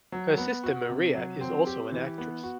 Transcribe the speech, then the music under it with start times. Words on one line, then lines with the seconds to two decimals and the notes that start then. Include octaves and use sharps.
Her sister Maria is also an actress.
0.12 F#3
0.37 B3
0.64 F#4
0.89 C3
1.15 F#3
1.41 C4
1.67 G4
1.92 E3
2.18 B3
2.43 F#4